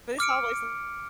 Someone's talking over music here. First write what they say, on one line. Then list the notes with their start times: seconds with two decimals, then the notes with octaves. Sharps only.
But it's always
0.19 D6 F6 C#7 D7